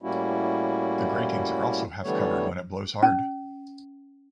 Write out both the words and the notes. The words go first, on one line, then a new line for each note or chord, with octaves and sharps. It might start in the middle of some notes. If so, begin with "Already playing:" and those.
The gratings are also half covered when it blows hard.
A2 G3 A#3 C#4 E4 F#4
D3 E3 G3 A3 B3 C#5
C#4